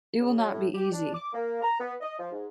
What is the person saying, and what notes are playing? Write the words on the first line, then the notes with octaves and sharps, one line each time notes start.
It will not be easy.
C#3
F#3
A2
G4
D4
D6
A#3
A#5
B3
D#5
F3
G#2